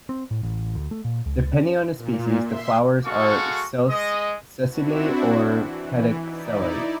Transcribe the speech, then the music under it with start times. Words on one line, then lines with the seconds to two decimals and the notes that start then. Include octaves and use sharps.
Depending on the species, the flowers are sessile or pedicellate.
0.09 C4
0.31 A2
0.43 A1
0.75 D2
0.91 A3
1.05 A#2
1.26 C#2
1.53 C#4
1.96 A#2
2.45 E5 C6
3.05 G#3 F#4 A4 F5 C#6
3.88 G#3 D#5
4.67 C4 D4 E4 F#4
5.55 E3
6.26 D#4 E4 D5